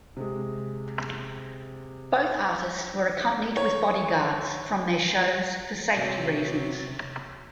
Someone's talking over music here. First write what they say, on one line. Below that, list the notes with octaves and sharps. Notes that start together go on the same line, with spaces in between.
Both artists were accompanied with bodyguards from their shows for safety reasons.
C3 G#3
C#5
C3 F#3